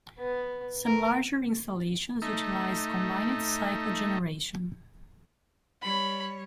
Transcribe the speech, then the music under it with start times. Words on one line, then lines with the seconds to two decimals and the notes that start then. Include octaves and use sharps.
Some larger installations utilize combined cycle generation.
0.18 B3
0.85 A#4
2.22 A3 D#4
5.82 G3 C#5 B5